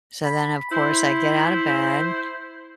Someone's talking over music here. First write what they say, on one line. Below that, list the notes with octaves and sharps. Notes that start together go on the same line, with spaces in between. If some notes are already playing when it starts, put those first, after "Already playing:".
So then of course I get out of bed
B5
E4 C5